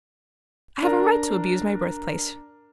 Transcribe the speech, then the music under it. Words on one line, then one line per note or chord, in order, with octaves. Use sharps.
I have a right to abuse my birth-place.
D4 A#4 A#5